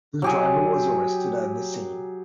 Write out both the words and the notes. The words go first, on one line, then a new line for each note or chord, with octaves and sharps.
The driver was arrested at the scene.
F#3 G4 G#4